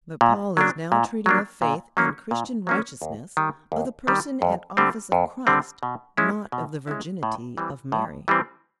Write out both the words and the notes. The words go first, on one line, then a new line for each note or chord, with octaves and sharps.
But Paul is now treating of faith and Christian righteousness, of the person and office of Christ, not of the virginity of Mary.
A#2
F#3 A#3 D4
A#2
F#3 A#3 D4
A#2
F#3 A#3 C#4
A#2
F#3 A#3 C#4
D#2
D#3 G3
D#2
D#3 G3
F2
D3 G3 C4
F2
D3 G3 C4
B2
G#3 C#4 E4
B2
G#3 C#4 E4
A2
E3 G3 C4
A2
E3 G3 C4